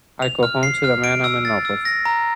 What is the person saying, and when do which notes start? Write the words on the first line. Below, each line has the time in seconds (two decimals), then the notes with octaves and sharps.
I go home to the man I'm in love with.
0.22 F7
0.43 F6
0.63 C7
0.84 F6
1.04 D7
1.24 E6
1.45 A6
1.65 E6
1.85 A#6
2.05 A#5